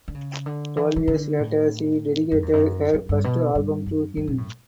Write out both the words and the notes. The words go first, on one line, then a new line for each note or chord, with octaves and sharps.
Twelve years later she dedicated her first album to him.
D3
C#3
D3
E3
E3
D3
A2
F#2
E2
F#2
F#2
G2
B2
G2
F#2
F#2
B2
A2